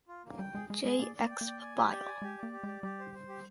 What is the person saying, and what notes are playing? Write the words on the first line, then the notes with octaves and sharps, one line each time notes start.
J Exp Biol.
F4
A#3
G3 G5
G#3 G#4
G#3 G#4
G#3 G#4
A#3 D5
A#3 D5
G5
A#3
D5
G#5
G4
D5
G#5
G#3 G4
A#3 D5
G4
G#3 D5
G3 G4
C5
C5
G4